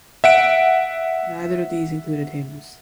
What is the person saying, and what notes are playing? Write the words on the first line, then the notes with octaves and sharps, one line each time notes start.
Neither of these included hymns.
E5 F#5 D7